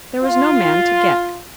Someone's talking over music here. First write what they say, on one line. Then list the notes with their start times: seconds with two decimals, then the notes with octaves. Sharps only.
"There was no man to get."
0.23 F4